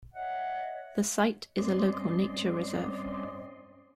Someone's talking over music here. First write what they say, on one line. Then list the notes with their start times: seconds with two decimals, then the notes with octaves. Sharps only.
The site is a local Nature Reserve.
0.14 C#5 D#5 E5 F#5
1.58 G2 C4 C#4 D5 D#5 C6